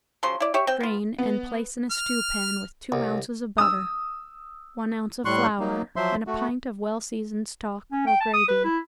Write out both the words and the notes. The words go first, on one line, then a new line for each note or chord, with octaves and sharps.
Drain and place in a stew pan with two ounces of butter, one ounce of flour and a pint of well seasoned stock or gravy.
C#3 F3 F#3 C6
E4 D5
G4 C#5 E5
C4 G5
B3 F4
B3
F6
C2
D#6 E6
A2 G3 C6 C#6 F#6
F#3 A#3 D#4
F3 F#3 C5 E5 C6
A3 F#4
C#4
G5
A5
D#6
B4
E4